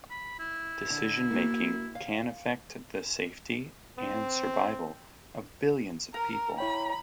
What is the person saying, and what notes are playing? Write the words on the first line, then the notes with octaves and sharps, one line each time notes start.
Decision-making can affect the safety and survival of billions of people.
B5
E4
D3
A#3 F#4
F5
C4
A#4 A#5
E4 C#5 G5 B5